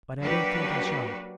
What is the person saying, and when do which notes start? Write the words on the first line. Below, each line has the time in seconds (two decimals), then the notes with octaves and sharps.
But I don't think I shall.
0.21 F#3 A#3 D4 F#4 G4 B4